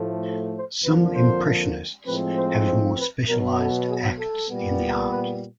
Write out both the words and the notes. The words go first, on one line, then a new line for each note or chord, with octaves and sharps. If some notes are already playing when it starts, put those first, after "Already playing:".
Some impressionists have more specialized acts in the art.
Already playing: A2 F3 A3
C5
F2 D3 F3 A#3 B4
C5
A2 F3 G#3 C4 B4
C5
C5
B4
B2 F#3 B3 A#4
A4
G#4
A4
A#2 G3 B3
B4